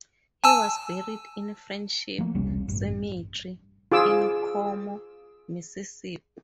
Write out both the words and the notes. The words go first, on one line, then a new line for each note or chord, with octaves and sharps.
He was buried in Friendship Cemetery in Como, Mississippi.
G#5 A5 E6
F3 A3 A#3
E1 C2 G3 C#4
A1 G2
F4 G#4 D6 E6